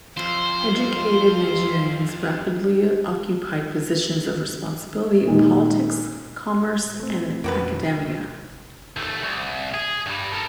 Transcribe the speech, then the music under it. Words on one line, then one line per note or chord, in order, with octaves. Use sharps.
Educated Nigerians rapidly occupied positions of responsibility in politics, commerce and academia.
F2 F4 C5
A#2 D#3 G#3
A3 C4
F2 A#3 C#4 F#4 B4
D#2 A3
C2
G#4
G2 G3
A4 A#4